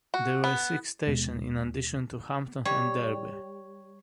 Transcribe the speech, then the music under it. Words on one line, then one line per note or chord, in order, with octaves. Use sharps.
There were six stations in addition to Hampton and Derby.
F#4
B3
D#2 B2 G#3 B3
G3 C#5